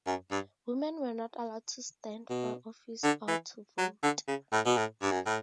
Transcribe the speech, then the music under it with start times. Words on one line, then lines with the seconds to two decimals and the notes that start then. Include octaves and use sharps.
Women were not allowed to stand for office or to vote.
0.07 F#2
0.31 G2
2.30 B2
3.04 D3
3.28 E3
3.78 F#3
4.03 D3
4.28 C#3
4.53 A2
4.66 B2
4.77 A2
5.02 G2
5.12 F#2
5.26 A2